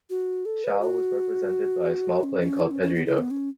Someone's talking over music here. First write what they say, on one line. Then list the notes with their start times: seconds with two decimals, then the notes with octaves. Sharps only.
Chile was represented by a small plane called Pedrito.
0.10 F#4
0.45 A4
0.64 B4
0.81 F#4
2.23 C#4
2.41 C#4
2.60 E4
2.71 C#4
2.82 C#4
2.95 B3
3.06 E4
3.18 B3
3.31 C#4